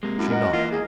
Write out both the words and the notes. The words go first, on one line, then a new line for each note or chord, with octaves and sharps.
She knocked.
C3 G#3 A#3
F#2 E4
A#4 D#5 F#5
E3 A#3 F4
E2 G#4